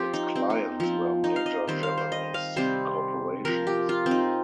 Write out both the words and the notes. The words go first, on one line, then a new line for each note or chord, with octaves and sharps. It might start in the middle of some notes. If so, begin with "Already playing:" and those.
Its clients were major Japanese corporations.
Already playing: F3 C4 G4 C5
D#4
C4
D#4
F3 C4
D#4
F5
D#5
D#3 G3 C4 C5
F5
C5
D#5
F5
C3 G3 C4 C5
F3 C4 A#4
G4
F4
C4
D#4